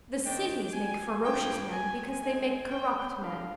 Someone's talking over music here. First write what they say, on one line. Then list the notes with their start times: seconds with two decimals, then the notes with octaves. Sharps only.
The cities make ferocious men because they make corrupt men.
0.24 D#3 G#3 D4 G5
0.73 G#5
1.23 G2 D3 F3 G#3 G5
1.72 G#5
2.22 D3 G#3 C4 G#5
2.71 G5
3.20 D3 G3 A#3 D4 F5